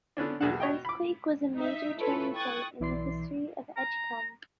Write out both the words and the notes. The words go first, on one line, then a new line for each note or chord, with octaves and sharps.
The earthquake was a major turning point in the history of Edgecumbe.
D3 B3 C#4 D4
B1 E2 A#3 G#4 F#5
B2 C#5 D#5 G5
B5 D6
D#4 E5
E4 F4 A4 B4 C#5
G5 C#6 D#6 F#6 G#6 A6
B1 E3 E4 D5 C6 C7
A#5